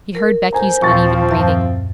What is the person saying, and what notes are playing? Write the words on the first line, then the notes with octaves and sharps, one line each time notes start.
He heard Becky's uneven breathing.
A#4
C5 G#5 A#5
D#2 A#2 F3 C4 C#6 A6
F#2 E5 A5